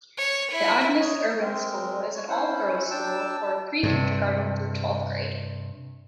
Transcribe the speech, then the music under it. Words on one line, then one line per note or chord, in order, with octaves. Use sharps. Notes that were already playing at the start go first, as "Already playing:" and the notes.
The Agnes Irwin School is an all-girls school for prekindergarten through twelfth grade.
C#5
E4
C#5 D#5 A#5
G#3 C4 A#4
C#5
C#4 E4 C5 F#5
D4 G5 A5 E6
G2 C3